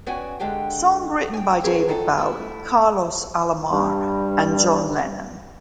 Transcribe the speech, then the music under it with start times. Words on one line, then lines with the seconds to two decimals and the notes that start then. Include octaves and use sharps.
Song written by David Bowie, Carlos Alomar, and John Lennon.
0.06 B3 C#4 F#4 D5 G5 G#5
0.40 D3 G#3 D4 G4 G5
1.34 G5 G#5
1.64 A#3 C4 C#4 G#4 B4 C5
1.88 F#2 D#3 F4 A4 D#5
2.18 A3 E4
3.71 G2 G3